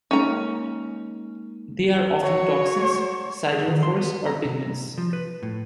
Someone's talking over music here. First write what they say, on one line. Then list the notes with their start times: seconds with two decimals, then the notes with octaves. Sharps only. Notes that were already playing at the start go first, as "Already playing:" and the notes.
They are often toxins, siderophores, or pigments.
0.11 G#3 A#3 C#4 D#4 A#5
2.23 F#3 C#5
3.52 G#4
3.68 D#3
3.83 C6
3.97 B3
4.26 A#5
4.45 C3
4.98 F3
5.13 B4
5.43 A2